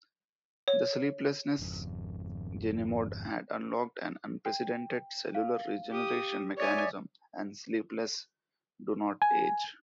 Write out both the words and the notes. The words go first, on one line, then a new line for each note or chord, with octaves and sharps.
The sleeplessness genemod had unlocked an unprecedented cellular-regeneration mechanism, and Sleepless do not age.
C#5
G#1 F2
G5
F5
G4 D#6
C#5 D5 E5 G#5 D#6
G#5